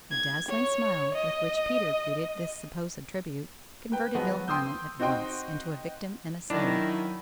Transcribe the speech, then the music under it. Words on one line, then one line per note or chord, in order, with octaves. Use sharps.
The dazzling smile with which Peter greeted this supposed tribute converted Bill Harmon at once into a victim and slave.
G#6
C#5
D#5
B4 G5
F3 F#3 G#3 B3 F#4
G5 C6 D#6 E6 G6
C4 D#4 F#4 D#5 G5 C6
D#3 F#3 D4 E4